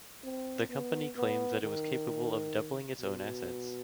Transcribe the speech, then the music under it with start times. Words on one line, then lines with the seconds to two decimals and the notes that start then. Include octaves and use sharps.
The company claims that it was capable of doubling its own assets.
0.24 C4
0.69 B3
1.16 B3
1.62 D#3
3.00 B2